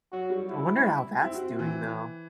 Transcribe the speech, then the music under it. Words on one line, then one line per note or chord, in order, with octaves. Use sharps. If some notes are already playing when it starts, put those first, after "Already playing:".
I wonder how that's doing though.
F#3 F#4
G3
E4
C4 E4
F#4
E3